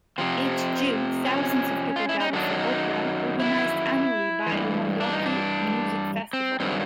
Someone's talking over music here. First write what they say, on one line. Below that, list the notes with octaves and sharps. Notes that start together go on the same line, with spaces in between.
Each June, thousands of people gather for opera, organized annually by Ilmajoki Music Festival.
F2 C3 F3 C4
C#4
F4
E4
D#4
F#2 D#3 F#3 D4
D#4
E4
G2 E3
D4
D#4
D4
C4
G2 D#3 F#3 C4